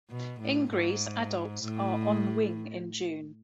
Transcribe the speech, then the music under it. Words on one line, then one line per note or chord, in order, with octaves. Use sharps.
In Greece, adults are on wing in June.
B2
A2
G#2
A2